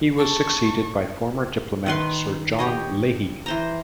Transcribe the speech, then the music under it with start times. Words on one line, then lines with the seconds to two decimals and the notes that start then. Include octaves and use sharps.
He was succeeded by former diplomat Sir John Leahy.
0.17 A5 C#6
1.86 D#3 B4 C6
2.59 G4 C#5 D#5
3.46 E3 C5 A#5